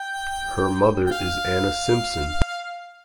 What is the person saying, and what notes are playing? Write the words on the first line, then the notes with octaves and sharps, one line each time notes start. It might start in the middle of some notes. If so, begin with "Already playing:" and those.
Her mother is Anna Simpson.
Already playing: G5
G5
F5